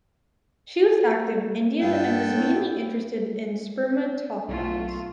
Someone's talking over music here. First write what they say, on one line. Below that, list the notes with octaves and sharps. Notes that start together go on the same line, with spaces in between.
She was active in India and was mainly interested in Spermatophytes.
G2 B3 A4 G5
A2
B1 A3 F4